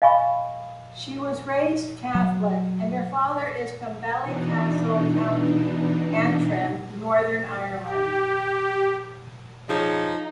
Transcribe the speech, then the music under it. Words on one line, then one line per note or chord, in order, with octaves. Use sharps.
She was raised Catholic and her father is from Ballycastle, County Antrim, Northern Ireland.
D#5 F5 G#5 B5 C#6
F#3
B2 E3 D4 D#4
G4
F3 D#4 G#4 C5 C#5